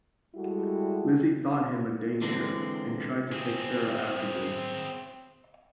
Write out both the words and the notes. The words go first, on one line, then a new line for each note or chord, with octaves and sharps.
Lizzie thought him a danger, and tried to take Sarah after this.
G3 G#3 E4 F#4 G4 A4
D3 E3 G#3 C4 D4
C4 G#4